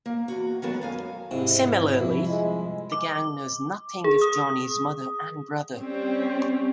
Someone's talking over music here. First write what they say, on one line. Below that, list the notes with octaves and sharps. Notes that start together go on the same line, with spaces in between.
Similarly, the gang knows nothing of Johnny's mother and brother.
A#3
E2 F#4
D#3 F#3 G#3 B3 F#4 A4
F#2 F5 G#5
G#2 C3 E4
C2 F2
G#3
D6
G#4
D#6
G3 C4 C#4